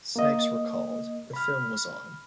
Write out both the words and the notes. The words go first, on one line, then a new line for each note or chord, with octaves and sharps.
Snipes recalled, The film was on.
A#3 D#5
B5 F6